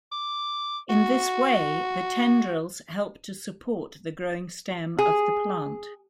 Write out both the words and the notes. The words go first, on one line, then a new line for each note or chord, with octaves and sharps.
In this way, the tendrils help to support the growing stem of the plant.
D6
F#4
G#4